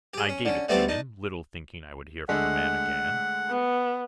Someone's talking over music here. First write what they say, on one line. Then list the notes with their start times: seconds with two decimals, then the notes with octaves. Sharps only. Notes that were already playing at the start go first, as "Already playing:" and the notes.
I gave it to him, little thinking I would hear from the man again.
0.14 G4 G#4
0.29 C#4
0.45 D3 C#4
0.69 G3 A3 B3 C4 G4 A4
0.88 D4 D#4
2.29 D3 G#3 A3 F#5
3.50 B3